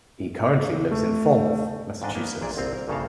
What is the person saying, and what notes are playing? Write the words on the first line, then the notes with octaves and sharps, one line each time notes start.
He currently lives in Falmouth, Massachusetts.
A3
F2 G#2 D4 D#5
A#3 B3
A#1 A#2 G#4 D5
G1 C2 C4 F5
A#4
A#1 G2 C#3 A#3 A4 F5